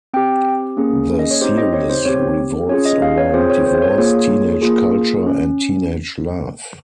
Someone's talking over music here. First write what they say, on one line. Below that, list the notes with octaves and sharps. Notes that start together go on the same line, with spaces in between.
The series revolves around divorce, teenage culture and teenage love.
C4 G4 G5
A#3 C#4 G#4
D#5
C#5
C4 D#4 G4 C5
D#5
C#5
C5
C4 G4 C#5
C#4 F4 G#4 C#5
D#5
F5
C#5
C4 F4 G#4 C5
C#5
C5
C#5
A#3 F4 G#4 C#5
A#3 F4 G#4
C#4